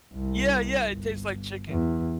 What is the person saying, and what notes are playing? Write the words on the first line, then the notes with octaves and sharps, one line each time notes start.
Yeah, yeah, it tastes like chicken.
C2
G1
E2